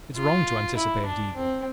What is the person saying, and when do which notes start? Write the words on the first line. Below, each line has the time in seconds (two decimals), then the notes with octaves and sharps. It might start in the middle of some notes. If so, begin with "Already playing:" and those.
'It's wrong to anticipate evil.
0.16 F4
0.76 E4
1.06 D4
1.36 C4